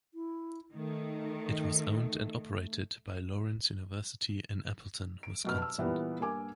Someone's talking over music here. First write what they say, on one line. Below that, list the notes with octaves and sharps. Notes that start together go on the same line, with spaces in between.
It was owned and operated by Lawrence University in Appleton, Wisconsin.
E4
D#3 A3
D7
F#2 B2 F6
A5 E6
A#2 E3 G3 B3
G2 A#3 A#4 G#5 D6